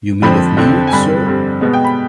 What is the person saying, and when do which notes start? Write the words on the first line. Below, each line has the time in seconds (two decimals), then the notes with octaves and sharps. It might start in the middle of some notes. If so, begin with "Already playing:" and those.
You mean of me, sir?
0.22 F2 D3 F3 C4 B5
0.57 F2 D3 F3 C4
0.87 G#5
0.92 G2 D3 G3 C4 B5
1.27 G2 D3 G3 C4
1.61 B2 G#3 B3
1.73 G5
1.85 B5